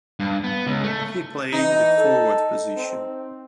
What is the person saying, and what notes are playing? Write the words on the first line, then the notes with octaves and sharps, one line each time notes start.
He played the forward position.
G2
B3
C#2
A3
E3 D#4
A4
C4